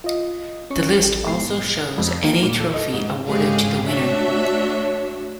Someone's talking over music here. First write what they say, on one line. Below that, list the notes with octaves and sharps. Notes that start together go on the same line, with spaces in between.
The list also shows any trophy awarded to the winner.
F4 D#5
C#4 C#6
A1 G4 A4
G#2 B2 C7
F2
A#3
A#2
A4
D#5
G#2
G#2 C#3 G#3 G4 G#4 F5
A3 D4 F#4 C#5 E5